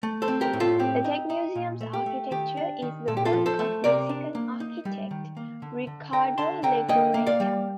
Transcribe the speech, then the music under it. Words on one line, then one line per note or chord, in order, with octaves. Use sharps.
The Tech Museum's architecture is the work of Mexican architect Ricardo Legorreta.
A3
A4 C5
C4
G4 A#4
A2
F4 A4
C4 G4
D#4
D#4
A#2
A3
G4
A3
D#3 G4
D4
D#3
A#2 A4
G4
F4 A4
F3
A4 C5
A3
C3 A#4 D5
D4
A#3
D#4
G3
D#3
A#3
D3
D3
D3 G5 A#5
D3 A5 C6
D3 G5 A#5
A#3 D#5 G5
A#3
D5 F5
G3